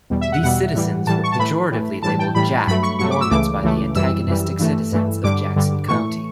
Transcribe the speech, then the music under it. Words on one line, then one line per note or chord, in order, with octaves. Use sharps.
These citizens were pejoratively labeled "Jack" Mormons by the antagonistic citizens of Jackson County.
E2 B2 G3
E5
F#5
E2 B2 G3 F#5
A2 E3 G3
A2 E3 G3 A5
C#6
A5
A2 E3 A3 B5
A2 E3 A3
A2 E3 G3 A5
G5
A2 E3 G3 B5
G2 F#3 A3 B5
C#6
G2 F#3 A3 C#6
D6
E6
C#2 C#3 E3 A3 D6
C#2 C#3 E3 A3
F#2 E3 G3 E6
F#2 E3 G3
G2 E3 A3
G2 E3 A3
G2 D3 G3 D6
G2 D3 G3
A2 E3 A3 C#6